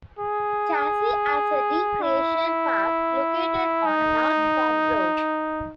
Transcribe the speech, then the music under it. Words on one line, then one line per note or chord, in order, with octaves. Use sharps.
Chazy has a recreation park located on North Farm Road.
G#4
E4
D#4